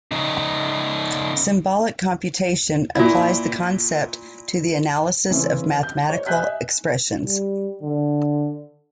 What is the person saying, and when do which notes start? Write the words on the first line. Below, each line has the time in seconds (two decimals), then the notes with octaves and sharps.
Symbolic computation applies the concept to the analysis of mathematical expressions.
0.12 C#3 D#4
2.95 A#2 E4
5.31 C#3 E3 C4 C#4
5.83 G6
6.10 C#5
6.27 D#5 E5 G#5 F#6 G6 B6
7.25 G3
7.82 D3